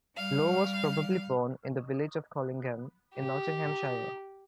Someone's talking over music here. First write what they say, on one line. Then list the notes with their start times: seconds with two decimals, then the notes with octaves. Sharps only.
Blow was probably born in the village of Collingham in Nottinghamshire.
0.16 G3 F5
3.15 G4